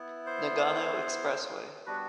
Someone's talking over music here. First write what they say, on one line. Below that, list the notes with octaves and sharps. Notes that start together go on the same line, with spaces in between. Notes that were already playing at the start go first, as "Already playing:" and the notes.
Nagano Expressway.
Already playing: B3 E4
C5
G3 B3 D4 F#4 B4